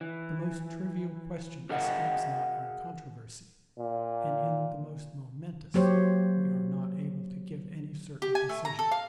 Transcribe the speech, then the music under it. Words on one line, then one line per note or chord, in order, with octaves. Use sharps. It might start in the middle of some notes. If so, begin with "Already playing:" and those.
The most trivial question escapes not our controversy, and in the most momentous we are not able to give any certain decision.
E3
F#4 G#4 A#4 D#5 F5 F#5
A#2
F#3 A#3 G4 C5 C#5
G4
G#5
A3
A#5
A4
F5